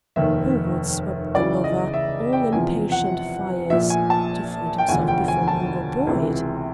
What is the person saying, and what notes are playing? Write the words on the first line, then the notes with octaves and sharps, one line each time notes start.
Forward swept the lover, all impatient fires--to find himself before Mungo Boyd!
F1 D#2 D#3 E5
C#2 C#3 E3 D5
D#5
E5
G5
E2 C3 F3 G#5
F#5
A#1 A#2 F3 E5
G#5
A5
G5
E1 D2 D3 F3 G#5
G5
G#5
A5
C#2 C3 E3